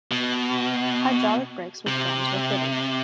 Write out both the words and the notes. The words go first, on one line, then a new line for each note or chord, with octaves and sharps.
Hydraulic brakes with drums were fitted.
B2
C3